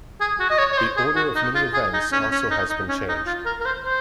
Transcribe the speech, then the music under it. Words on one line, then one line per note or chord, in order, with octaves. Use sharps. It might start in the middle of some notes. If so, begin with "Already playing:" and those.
The order of many events also has been changed.
G#4
F#4
D#5
C#5
C#5
C5
G#4
F#4
D#4
F4
G#4
D#4
C#4
C#4
D#4
D#4
C#4
D#4
F4
A#4
A#4
C5
C5